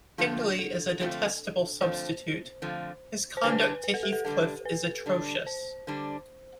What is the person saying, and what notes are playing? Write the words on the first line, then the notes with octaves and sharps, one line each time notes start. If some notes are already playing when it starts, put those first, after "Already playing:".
Hindley is a detestable substitute — his conduct to Heathcliff is atrocious.
D3 F3 A3 C4 D4 F4
A4
D3 F3 A3 C4 F4
D3 F3 A3 C4 F4 C5
D3 F3 A3 C4 F4
C5
D3 G3 D4 B4
B4
A4
G4
A4
D3 G3 D4 A4
B4
D3 G3 D4
C5
D3 G3 D4